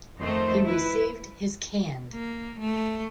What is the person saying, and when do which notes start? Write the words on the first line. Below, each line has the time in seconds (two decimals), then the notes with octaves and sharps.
He received his cand.
0.19 F2 D#3 A3 C5
0.64 E4 B4
2.13 A#3
2.60 A3